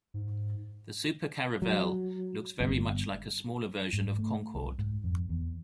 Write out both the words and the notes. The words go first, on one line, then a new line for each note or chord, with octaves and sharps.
The Super-Caravelle looks very much like a smaller version of Concorde.
G#2
F#3
G1
G#2
A3
C2
G#2
F2
E2